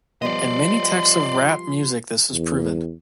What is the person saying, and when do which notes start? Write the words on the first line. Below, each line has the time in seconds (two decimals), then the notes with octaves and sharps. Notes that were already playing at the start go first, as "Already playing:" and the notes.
In many texts of rap music this is proven.
0.22 F3 G3 B3 D5 D#5 C6
2.33 E2